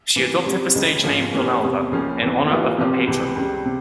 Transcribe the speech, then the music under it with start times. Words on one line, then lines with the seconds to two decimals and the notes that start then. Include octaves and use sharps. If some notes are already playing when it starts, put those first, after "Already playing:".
She adopted the stage name Donalda in honour of her patron.
0.16 C3 E3 A#3
0.45 C#3 G3 C4
0.75 C#2 C#3 F3 G#3
1.03 G#2 F3 A#3 C#4 F4
1.33 E3 A#3 C#4 G4
1.61 E2 C3 G3
1.91 C#2 C#3 F3 A#3 C#4
2.20 E2 C#3 E3 A#3
2.49 E3 G3 A#3 F4
2.78 C3 F3 C4 G4
3.07 C#2 C3 E3
3.36 C#2 C#3 G3
3.65 C3